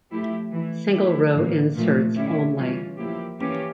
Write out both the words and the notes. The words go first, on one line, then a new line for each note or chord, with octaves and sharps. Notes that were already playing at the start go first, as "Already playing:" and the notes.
Single row inserts only.
F3 A3 E4 G4
E3 A3 E4
F3 A3 E4 G4
A2 E3 A#3
A#2 F3 A3
D3 A3 C#4 E4 G4
C#3 E3 G3 C#4 F4
A#2 F3 A#3 E4 G4
E3 A#3 C#4 G4